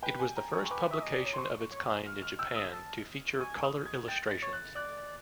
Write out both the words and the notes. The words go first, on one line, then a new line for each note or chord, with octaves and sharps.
It was the first publication of its kind in Japan to feature color illustrations.
B4 G5
G#5
A#5
C#6
C#6
B4 D6
E5 D#6
D#5
D5
C#5
C6
C5 C#6
C#5
F6
F6
G5 E6
D#6
A5
G#5 C#6
D#6
G#6
G5 A6
A6
C#5
F#6
D5 F#6